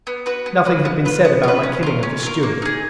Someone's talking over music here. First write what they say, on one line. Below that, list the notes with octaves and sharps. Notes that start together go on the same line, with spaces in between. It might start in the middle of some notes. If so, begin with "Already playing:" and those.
Nothing had been said about my killing of the steward.
B3
F#4 B4
B3
F#4 B4
B3
F4 B4
B3
F4 B4
C#4
F4 A#4
C#4
F4 A#4
A#3
D#4 G#4